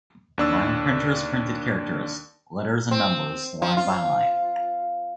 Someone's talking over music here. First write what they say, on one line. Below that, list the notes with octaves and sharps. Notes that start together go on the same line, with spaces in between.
Line printers printed characters, letters and numbers line by line.
D#2 D4 E6
C4
F3
F4